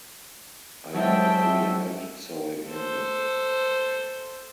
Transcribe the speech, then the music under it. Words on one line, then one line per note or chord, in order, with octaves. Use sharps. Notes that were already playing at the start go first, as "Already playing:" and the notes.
I had a free hand, so I gambled.
F#3 G#3 E4 C5 C#5 E5 G5 A5
A4 C5